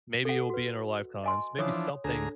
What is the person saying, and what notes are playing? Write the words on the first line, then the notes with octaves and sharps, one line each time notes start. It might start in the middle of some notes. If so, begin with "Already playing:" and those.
Maybe it will be in our lifetimes. Maybe something,
A4 F#5
F#4 B4
D#5 G#5 C6
E3 F3 D4 C#5 D#6
D2 D4 G#4 A4 A#5